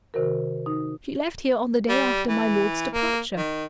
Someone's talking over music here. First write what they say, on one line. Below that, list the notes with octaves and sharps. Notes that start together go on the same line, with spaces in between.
"She left here on the day after my lord's departure."
C3 D#3 F#4 A#4
D#4
G3
E3
A#3
D#3